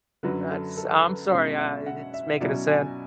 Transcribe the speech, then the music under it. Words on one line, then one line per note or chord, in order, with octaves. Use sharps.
that's I'm sorry, I it's making it sad.
F#2 D3 F#3 B4
A4
A4
A4
B4
B2 G#3 C#4 E4 C#5
E5
F#5
E5
B2 F#3 C#4 E4 D5
G#5